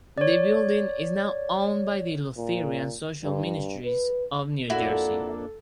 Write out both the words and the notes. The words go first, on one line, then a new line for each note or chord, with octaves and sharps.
The building is now owned by the Lutheran Social Ministries of New Jersey.
C#5 D5
A#2
G2
B4
F2 A#3 D4 E4 F#4 A4